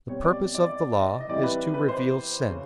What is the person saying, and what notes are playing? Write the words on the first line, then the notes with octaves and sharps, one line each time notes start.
The purpose of the Law is to reveal sin.
B2 G3 C4 C#5
D5
D5
D5
D#5
D#5
E3 G3 C4 E4 D5
B4
B4
C5
C#3